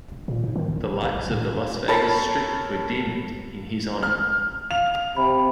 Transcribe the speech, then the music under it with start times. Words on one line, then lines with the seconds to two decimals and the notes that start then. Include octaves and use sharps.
The lights of the Las Vegas Strip were dimmed in his honor.
0.12 E1
0.28 A#2
0.44 G#2
0.56 D#3
0.69 A1
0.82 G#1
1.04 B1
1.19 A#1
1.31 A2
1.88 A4 A#4 C#5 A5 B5
4.03 F6
4.71 F5 F7
5.16 C3 B5